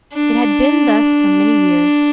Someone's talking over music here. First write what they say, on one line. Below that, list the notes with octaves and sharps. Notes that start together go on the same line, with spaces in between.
It had been thus for many years.
D4